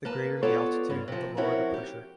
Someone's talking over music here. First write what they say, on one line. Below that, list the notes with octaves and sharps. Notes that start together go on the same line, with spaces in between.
The greater the altitude, the lower the pressure.
A#3 B4 A5
B3 F4 A4 C#5 D5
G2 F4
C3 F3
F3 C4 C#4 E4 F#4 A#4
G4